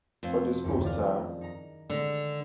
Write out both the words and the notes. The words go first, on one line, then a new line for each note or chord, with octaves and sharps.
For the school, sir?
F2
F#1 D#2 E4
D#3 D5 F6
D#4 A#5
D3 G#3